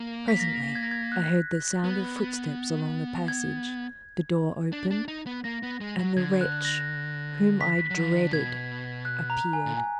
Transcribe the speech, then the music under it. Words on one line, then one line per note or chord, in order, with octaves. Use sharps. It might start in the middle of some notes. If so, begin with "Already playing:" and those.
Presently I heard the sound of footsteps along the passage; the door opened, and the wretch whom I dreaded appeared.
Already playing: A#3
B6
A#6
G#6
A#6
G#6
F#6
B3
G#6
D4
D4
D#4
B3
A#3 A#6
B3
G#3
F#3
D3 G#6
F#6
A#6
B6
F#3
F3
D#3
D3
B2 G#6
F#6
A#5
G#5
A#2
G#5